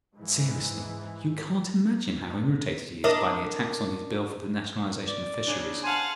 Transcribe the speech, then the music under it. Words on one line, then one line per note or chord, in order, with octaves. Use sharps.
But seriously, you can't imagine how irritated he is by the attacks on his Bill for the Nationalisation of Fisheries.
G#2 E3
D4 A#4 D#5
D5
C#3 D4
C5 F5 F#5 G#5 A5